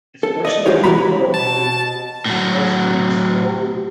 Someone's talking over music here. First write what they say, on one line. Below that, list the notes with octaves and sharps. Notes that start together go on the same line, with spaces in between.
Especially as an adult because some adults can be so
A4
D5 D#5
G3 F4 G4 G#4 C#5
G#2 E3 E4 F#4 A#5 B5
B2 A5
A2 F#3